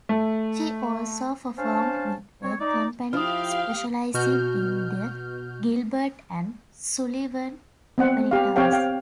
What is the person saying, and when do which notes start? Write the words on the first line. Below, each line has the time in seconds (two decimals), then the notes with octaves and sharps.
She also performed with a company specializing in the Gilbert and Sullivan operettas.
0.09 A3
1.58 C#4 D4 C5 F5 A5
2.43 C4 C#5
2.60 D#4 D5
3.13 F3 E4 G4 F5 G5 D#6 F6
4.14 B2 F#4 F6 G6
7.98 B3 C4 F#5
8.31 G4 F5
8.56 C4 G4 C#5 F5 G5
8.73 F5 G5